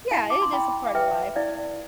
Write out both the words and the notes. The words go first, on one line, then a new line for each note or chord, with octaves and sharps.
Yeah, it is a part of life,
E4 F5 A5
D6
C6
E4 G5 B5
F5
B4 E5 G5
E4 D5 F5